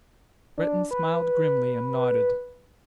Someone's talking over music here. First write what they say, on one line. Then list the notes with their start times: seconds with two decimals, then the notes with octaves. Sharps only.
Breton smiled grimly and nodded.
0.57 D4
0.91 B4